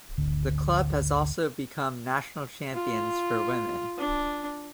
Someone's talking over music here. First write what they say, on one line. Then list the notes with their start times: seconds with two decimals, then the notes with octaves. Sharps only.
The club has also become national champions for women.
0.18 G#1 D2 D3
2.73 F4
3.98 D4